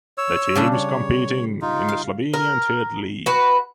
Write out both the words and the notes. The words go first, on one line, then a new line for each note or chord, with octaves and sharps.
The team is competing in the Slovenian Third League.
C#5 E6
C#3 G3 D4
C#5
D#4 F4
F5
A#4
F#4 B4